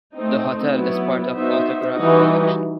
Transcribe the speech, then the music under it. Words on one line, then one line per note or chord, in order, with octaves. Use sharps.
The hotel is part of Autograph Collection.
A3 C4 D#4
F#3 B3 E4
B3 D#4 F#4 C5 E5
E3 G3 D#4 F#4